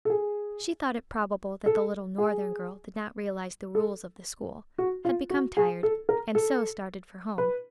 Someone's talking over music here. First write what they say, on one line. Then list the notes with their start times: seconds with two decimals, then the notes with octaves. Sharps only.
She thought it probable that the little northern girl did not realize the rules of the school, had become tired, and so started for home.
0.05 A4
0.10 G#4
1.66 A4
2.18 G#4
3.75 A4
4.78 F#4
5.05 F4
5.30 F#4
5.57 G#4
5.83 A4
6.09 A#4
6.35 A4
7.38 B4